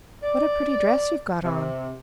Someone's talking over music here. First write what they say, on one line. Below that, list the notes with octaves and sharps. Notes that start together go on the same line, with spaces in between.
"What a pretty dress you've got on!"
D5
C3